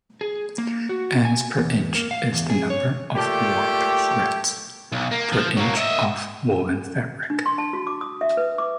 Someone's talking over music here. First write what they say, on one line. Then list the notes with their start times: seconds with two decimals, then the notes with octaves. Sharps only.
Ends per inch is the number of warp threads per inch of woven fabric.
0.21 G#4
0.58 A#3
0.89 F#4
1.25 G#5
1.57 E2
1.95 A#3
2.11 F5
2.32 E2
2.50 G#4
2.70 C#5
3.15 A#2 A3 G4
4.92 B1
5.11 A#3
5.32 F3
5.57 F#3 A#3
5.77 D#5 E5
7.30 D4
7.46 C6
7.58 A5
7.73 F#4
7.87 D6
8.01 D#6
8.21 E5
8.37 B4
8.58 D6